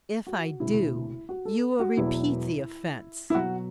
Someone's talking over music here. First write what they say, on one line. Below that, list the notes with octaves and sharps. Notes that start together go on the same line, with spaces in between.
'If I do, you will repeat the offence.'
F#4
E1 D2 C3 E4
F#4
A4
F#4
E1 E2 B2 F#3 E4
E4
B1 B2 F#3 F#4